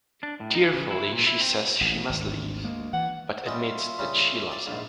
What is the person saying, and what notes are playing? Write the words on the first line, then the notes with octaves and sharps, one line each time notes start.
Tearfully she says she must leave, but admits that she loves him.
D4
A2
D#4
C#3
E4
A#2
E4
C4
A1
G#1 D2
D2 G#3 A#3
E3 F#5
G3 C#4 F4 D#5 E5
C#3 G3 C#4
D5
A#1 G#2 E4 E5 F5